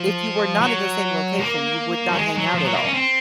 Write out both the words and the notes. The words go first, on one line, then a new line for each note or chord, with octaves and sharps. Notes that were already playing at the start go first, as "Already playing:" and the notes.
If you were not in the same location, you would not hang out at all.
Already playing: F3
F#3
A#3
F#3
G#3
F#3
F3
F#3
A#3
C#4
C4